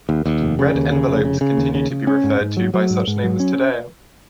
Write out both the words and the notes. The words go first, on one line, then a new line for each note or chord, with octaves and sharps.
Red envelopes continue to be referred to by such names today.
D#2
D#2
F1
C#3
D#2
C#3
F1
C#3
C#3
D#2
C#3
C#3
C#4
G#2
G#2
F#3
F#3
G#2
G#2
F#3
C#4